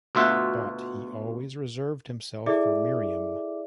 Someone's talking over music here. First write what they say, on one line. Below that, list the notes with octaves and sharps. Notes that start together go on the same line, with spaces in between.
But he always reserved himself for Miriam.
D2 B2 F4 E5 F#5
E4 G#4 A4 D5 E5 D6